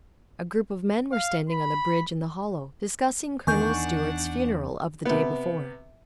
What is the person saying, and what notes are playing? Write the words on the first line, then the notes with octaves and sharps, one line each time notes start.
A group of men were standing on the bridge in the hollow, discussing Colonel Stuart's funeral of the day before.
F5
B5
E2 D#3 D4 D#4 F#5 G#5 C#6 G6
C3 B3